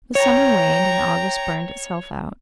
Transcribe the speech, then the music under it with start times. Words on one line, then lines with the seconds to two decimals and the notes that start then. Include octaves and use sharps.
The summer waned, and August burned itself out.
0.15 C#5 G5 A#5